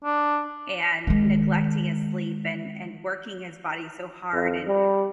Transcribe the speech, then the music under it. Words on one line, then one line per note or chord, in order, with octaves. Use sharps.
and neglecting his sleep, and and working his body so hard, and
D4
D#3 G#3
F2
G3